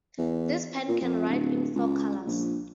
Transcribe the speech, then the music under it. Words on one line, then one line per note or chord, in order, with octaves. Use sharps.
This pen can write in four colors.
E2
A#2
F2
D1
C#2
A#1